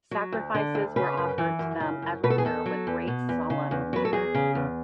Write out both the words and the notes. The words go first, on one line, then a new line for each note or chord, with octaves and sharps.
Sacrifices were offered to them every year with great solemnity.
F#3
D2
D3
D2
C#3 B4
F#2
E3
F#2
C#3
F#2
B2 B4
A4
G#4
E2 A4
F#3
E2
B2
E2
C#3
E2
F#3 B4
A4
E2 G#4
C#3
E2